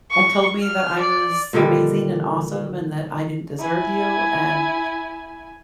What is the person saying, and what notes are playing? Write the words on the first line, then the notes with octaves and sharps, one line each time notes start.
and told me that I was amazing, and awesome, and that I didn't deserve you, and"
C#6
F6
D5
A#2 D3 D#3 G3
E4 G#5